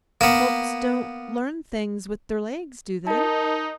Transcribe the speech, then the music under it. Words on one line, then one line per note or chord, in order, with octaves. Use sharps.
"Folks don't learn things with their legs, do they?"
A#3 B3
D#4 A#4 A5